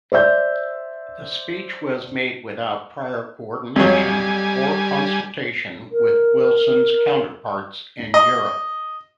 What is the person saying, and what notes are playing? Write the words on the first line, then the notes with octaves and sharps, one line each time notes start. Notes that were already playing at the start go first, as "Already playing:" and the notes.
The speech was made without prior coordination or consultation with Wilson's counterparts in Europe.
C5 D5 E5 G6
F2 F#3 G3 G#5
A#4
D#5